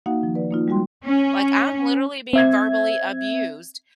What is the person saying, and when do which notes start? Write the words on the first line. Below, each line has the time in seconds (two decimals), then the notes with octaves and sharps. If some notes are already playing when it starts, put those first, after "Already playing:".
like I'm literally being verbally abused
0.06 A#3 D#4 F#4 F5 F#5
0.21 D#3 F3
0.35 B4 D5
0.51 A#3 D#4 F4
0.68 G3 G#3 F#4 G5 C6
1.04 C#4
2.33 C4 E5 G#6